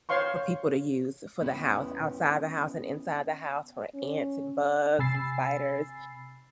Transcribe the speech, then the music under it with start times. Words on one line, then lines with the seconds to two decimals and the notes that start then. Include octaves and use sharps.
for people to use, for the house outside the house and inside the house for ants, and bugs, and spiders,
0.09 C5 C#5 F5 C6 C#6
1.42 B3 C#4 E4 B4
3.95 C#4
4.99 C3 G#5 B5 E6 A6 C7